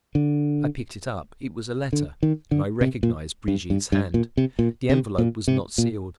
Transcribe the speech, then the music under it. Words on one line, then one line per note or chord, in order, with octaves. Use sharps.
I picked it up; it was a letter, and I recognized Brigitte's hand. The envelope was not sealed.
D3
D3
D#3
D3
C3
A#2
G2
G2
G2
A#2
C3
A#2
C3
A#2
C3
A#2